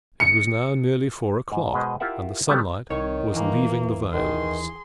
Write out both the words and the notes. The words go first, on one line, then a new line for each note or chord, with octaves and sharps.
It was now nearly four o'clock, and the sunlight was leaving the vales.
C#7
G#2
B2 G#3 B4 C5 D#5
E4 F4 G4 A#4 E5 F#5
D#3 F#3 G3 A3 B3
C2 D#3 C#5
D#2 E3 A#3
D#3 G#4 C6